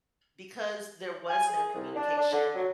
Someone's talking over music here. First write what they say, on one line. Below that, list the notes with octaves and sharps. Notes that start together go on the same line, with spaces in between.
because there was no communication
G#5
G#4
C2
D4
D4
D3
F#3